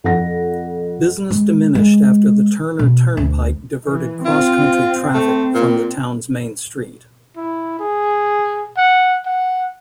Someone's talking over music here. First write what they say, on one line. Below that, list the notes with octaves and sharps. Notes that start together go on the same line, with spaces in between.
Business diminished after the Turner Turnpike diverted cross-country traffic from the town's main street.
F2 F#5 A#6
G#3
G#3
B2
D2
E3
C4 F4
A3
A#2
E4
G#4
F#5
F#5